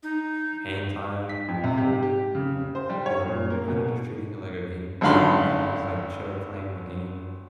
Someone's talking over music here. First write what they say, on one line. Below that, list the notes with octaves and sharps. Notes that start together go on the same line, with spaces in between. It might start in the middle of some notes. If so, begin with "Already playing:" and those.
anti-calming, but, you know, when you're kinda just treating it like a game, you're kinda just, like, chill playing the game,
D#4
B6
F2
C3
G4
G4
C#3
C5
G3
C#5
A#2
A#3
B2
G#1 F#2 D3 F5 B5 C6